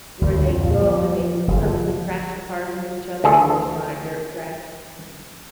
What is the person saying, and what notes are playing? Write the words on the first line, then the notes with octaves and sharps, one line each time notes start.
where they go and they purposely crash the cars into each other, and they're usually on a dirt track?
D2
F2
A#2
F3
F#1
F3
D2 G#4 A4